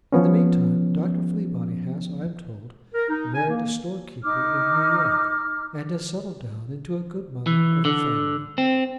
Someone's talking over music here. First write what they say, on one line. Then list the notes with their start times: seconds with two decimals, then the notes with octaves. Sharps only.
In the meantime, Dr. Fleabody has, I am told, married a store-keeper in New York, and has settled down into a good mother of a family.
0.13 F3 B3 C#4
2.94 A#4
3.09 D#4
3.34 G#5
3.49 A#3
4.23 D#4 D6 F6
7.47 E3
7.85 D3
8.58 C4